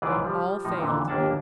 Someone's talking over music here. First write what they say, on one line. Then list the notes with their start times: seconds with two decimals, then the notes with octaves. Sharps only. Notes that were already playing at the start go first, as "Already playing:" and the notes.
All failed.
0.02 C#2 G#2 E3 F3 G#4 D5
0.24 F3 G3
0.65 A2 F3 D#4
0.79 F2 A#2 D3 E3
1.08 G1 D#2 A#3 D4 F#5 A5